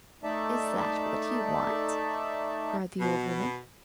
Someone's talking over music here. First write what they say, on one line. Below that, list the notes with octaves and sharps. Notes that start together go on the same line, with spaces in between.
'Is that what you want?' cried the old woman.
A3 D#4 A4 D5 E5 A5
B2